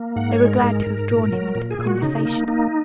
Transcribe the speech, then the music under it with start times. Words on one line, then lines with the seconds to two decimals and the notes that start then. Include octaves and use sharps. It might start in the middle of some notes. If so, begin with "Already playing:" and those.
They were glad to have drawn him into the conversation.
Already playing: A#3
0.16 G#2 F#5
0.32 C#5
0.39 G#3
0.48 A#4
0.63 G#2
0.86 G#2
1.10 A#2
1.32 F#3
1.55 A#2
1.71 G#4
1.78 A#2
1.87 F#4
2.02 C#3 D#4
2.25 A#3
2.48 A#3 D#4